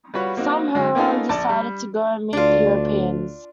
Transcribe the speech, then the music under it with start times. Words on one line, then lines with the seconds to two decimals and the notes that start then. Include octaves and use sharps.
Some Huron decided to go and meet the Europeans.
0.14 G3 F4 F#4 B4 C#5 F#5
0.37 A#3 C4 D#4 F#4
0.75 D3 F#3 G#3
0.95 A#3 B3 C#4 D#4 F4 A4
1.29 A#1 D5 A5
1.49 G3
2.33 D2 D4 F4